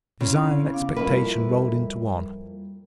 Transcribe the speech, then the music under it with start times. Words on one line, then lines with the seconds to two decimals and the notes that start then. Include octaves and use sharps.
Desire and expectation rolled into one.
0.21 C#3 C4 E4
0.73 B3 F5 D6
0.96 F2 G#2 G3 A#3 E4 B4